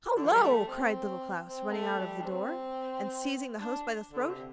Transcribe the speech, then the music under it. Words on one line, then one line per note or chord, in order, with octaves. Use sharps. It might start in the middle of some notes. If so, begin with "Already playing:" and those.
'Hullo!' cried Little Klaus, running out of the door, and seizing the host by the throat.
D3
F3
G3
A3
C4
C4
A3
G3
D4
C4
D4
D3
C3